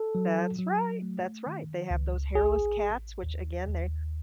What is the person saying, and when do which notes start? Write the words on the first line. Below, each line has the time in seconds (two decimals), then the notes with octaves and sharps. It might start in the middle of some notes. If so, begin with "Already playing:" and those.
That's right, that's right, they have those hairless cats, which again, they
Already playing: A4
0.15 F#3
0.58 F#3
1.02 A3
1.46 D#3
1.90 C#2
2.35 A1 G#4
2.79 A1
3.23 D#2
3.68 D#2